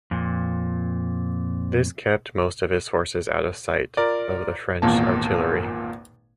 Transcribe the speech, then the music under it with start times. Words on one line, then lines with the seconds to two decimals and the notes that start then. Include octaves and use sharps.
This kept most of his forces out of sight of the French artillery.
0.11 F2 A#2
3.97 F4 A#4 D5
4.82 G#1 E2 A#2 A#3 A5